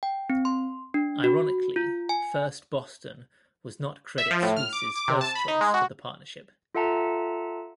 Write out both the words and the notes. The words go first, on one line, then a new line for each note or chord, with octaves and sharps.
Ironically, First Boston was not Credit Suisse's first choice for the partnership.
G5
C4
C6
D4
F#4
F4
G#5
E5
F3
A2
F6
D6
D6
C3
A5
B5
D#4
G#3
F#4
F4 A4 E5 F#5 A5 A#5